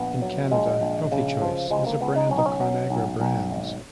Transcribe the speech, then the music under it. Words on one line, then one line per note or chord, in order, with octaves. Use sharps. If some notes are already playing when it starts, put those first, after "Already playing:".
In Canada, Healthy Choice is a brand of ConAgra Brands.
Already playing: A#1 B3
F#3
A#1 G#3
A#1
C#3
F3
C#2 G#3
A#3
C#2 B3
D#4
B1 C#4
D#4
C#4
F#3
B1
B1
G#1